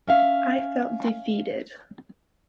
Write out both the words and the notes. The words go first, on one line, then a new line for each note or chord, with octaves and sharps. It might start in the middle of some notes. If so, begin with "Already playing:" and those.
I felt defeated.
C#4 E5 F5